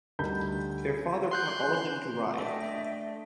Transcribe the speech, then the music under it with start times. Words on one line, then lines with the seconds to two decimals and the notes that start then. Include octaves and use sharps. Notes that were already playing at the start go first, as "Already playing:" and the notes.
Their father taught all of them to ride.
0.19 D2 G3 D#4 B5 G6
1.31 C6 F#6 G6
2.38 A3 D4 D#5 E5 G5